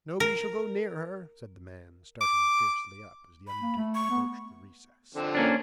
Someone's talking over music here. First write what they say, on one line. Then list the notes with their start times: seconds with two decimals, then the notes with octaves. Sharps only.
'Nobody shall go near her,' said the man, starting fiercely up, as the undertaker approached the recess.
0.20 A#4
2.21 D6
3.47 B5
3.61 A#3
3.77 A3
3.95 C#6
4.10 B3
5.15 D3 F3 C4
5.35 A#3 C#4 D4